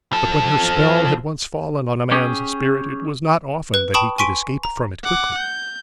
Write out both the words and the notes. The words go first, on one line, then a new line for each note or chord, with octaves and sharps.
But when her spell had once fallen on a man's spirit it was not often that he could escape from it quickly.
F3 A4
C#4 G4 G#4
B4 F#6
G5 A5 B5 C#6 D#6
G#5 C6 C#6 B6 D7 D#7
A#5
F#5 D6
G6